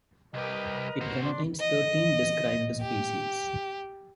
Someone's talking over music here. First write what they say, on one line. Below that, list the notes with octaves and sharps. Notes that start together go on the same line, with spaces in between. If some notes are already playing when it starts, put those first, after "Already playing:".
It contains thirteen described species.
C2 G4 A#4 B4 D#5
F#4 C5
D4 C6
D#5
G4